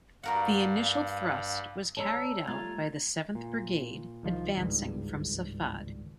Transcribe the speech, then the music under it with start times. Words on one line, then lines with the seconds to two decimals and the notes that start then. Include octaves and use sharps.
The initial thrust was carried out by the Seventh Brigade advancing from Safad.
0.23 G2 F#4 A#4 F5 F#5
1.97 C#5 D5 A5 A#5 E6
2.47 G3 A3 F4 A#5 G#6 A6
3.35 A#2
4.23 C2 D#3 F3
4.58 G#1 C#2 G2